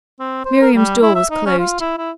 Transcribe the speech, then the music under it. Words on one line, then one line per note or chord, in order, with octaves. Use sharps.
Miriam's door was closed.
C4
C5
A#4
G3
E4
E5
D#4
C#4
F4
E4
E4